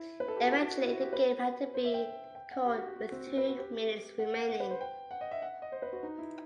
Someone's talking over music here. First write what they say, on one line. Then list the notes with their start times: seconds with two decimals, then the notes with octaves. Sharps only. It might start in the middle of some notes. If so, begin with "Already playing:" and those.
Eventually the game had to be called with two minutes remaining.
Already playing: E4
0.20 B4
0.28 A4
0.36 G4
0.44 F#4
0.52 E4
0.62 F#4
0.82 E4
0.92 F#4
1.02 G4
1.13 B4
1.74 C5
1.84 E5
1.94 G5
2.35 G5
2.51 F#5
2.65 G4
2.76 F#4
2.87 G4
2.96 F#4
3.12 C4
3.27 C4
3.37 B4
3.48 F#4
3.58 G4
4.19 F#5
4.34 F#5
4.50 F#5
4.60 B4
4.71 C5
4.81 G5
5.11 F#5
5.21 D#5
5.31 E5
5.42 F#5
5.62 D#5
5.72 C5
5.82 B4
5.93 F#4
6.03 D#4
6.18 E4